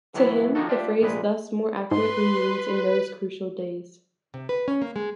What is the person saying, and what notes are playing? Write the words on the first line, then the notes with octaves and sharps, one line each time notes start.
To him the phrase thus more accurately means in those crucial days.
F#2 A2 E3 F#3 B3 E4
D#3 F3 A#3 D#4 F#4 A4
D4 F4 G4 E5
A#1 C3 G#3 B4
G#2 B4 C6
C3
B4
C#4
A#3
G#3